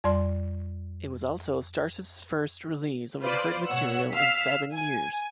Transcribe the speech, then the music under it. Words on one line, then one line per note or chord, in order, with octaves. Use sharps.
It was also Starr's first release of unheard material in seven years.
F2 G3 D5 C6
F4 B4 C5 D5
B2 C#5 F#5 E6
F5 E6 F6 B6 C7
G#5